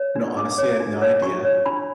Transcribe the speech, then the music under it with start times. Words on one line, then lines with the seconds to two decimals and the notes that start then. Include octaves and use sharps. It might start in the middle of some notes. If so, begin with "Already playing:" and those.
You know, honestly, I have no idea.
Already playing: C#5
0.16 D4
0.37 D4 D6
0.58 C#5
0.80 D4
1.02 C#5
1.22 D4 C#6
1.45 C#5
1.66 D4 B5